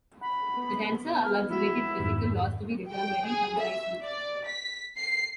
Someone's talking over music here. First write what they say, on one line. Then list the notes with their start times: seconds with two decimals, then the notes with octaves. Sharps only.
The tensor allows related physical laws to be written very concisely.
0.21 F#5 B5
0.57 B3
1.23 F6
1.49 F3 G#3 E4 F#4
1.99 F2 G#2 D#3
2.91 G5
3.25 G#4
3.59 E5
4.04 D5
4.46 B6
4.97 C7